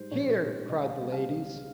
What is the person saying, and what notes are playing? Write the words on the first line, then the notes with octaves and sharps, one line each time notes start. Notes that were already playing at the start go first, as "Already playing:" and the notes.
"Hear!" cried the ladies.
Already playing: G#2 G3 C5
A#1 C#5
G#2 G3
C#2 D#5
F5
C#3 G3
F5
C#2
C#3